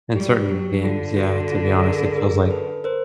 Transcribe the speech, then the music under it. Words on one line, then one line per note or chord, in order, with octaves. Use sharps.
and certain games, yeah, to be honest, it feels like
G3 G4
F#3 G4
D3 F4
F#4
F4
A4
G#4 A#4
G#4 A#4
A4 B4
A#4 C5